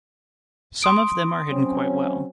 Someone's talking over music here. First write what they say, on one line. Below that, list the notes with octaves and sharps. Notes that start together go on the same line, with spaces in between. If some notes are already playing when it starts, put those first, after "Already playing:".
Some of them are hidden quite well.
C6 D#6 D7
F#3 C4 C#4